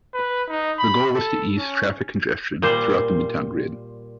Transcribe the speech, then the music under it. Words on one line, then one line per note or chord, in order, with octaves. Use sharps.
The goal was to ease traffic congestion throughout the midtown grid.
B4
D#4
B5
A4
C#4
A#2 G3 C5